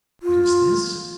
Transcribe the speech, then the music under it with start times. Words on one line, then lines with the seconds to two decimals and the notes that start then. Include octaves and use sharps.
What is this?
0.23 F4